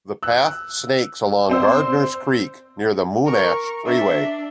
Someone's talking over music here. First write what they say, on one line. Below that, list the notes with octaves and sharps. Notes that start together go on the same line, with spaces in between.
The path snakes along Gardiners Creek, near the Monash Freeway.
E6 F#6
C4 C5 E6
A#4 C#6
D4 E5